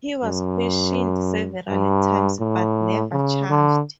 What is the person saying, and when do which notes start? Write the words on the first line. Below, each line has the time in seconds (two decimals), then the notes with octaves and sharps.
He was questioned several times but never charged.
0.24 F#2
1.69 G2
2.40 A2
3.12 C#3
3.49 D3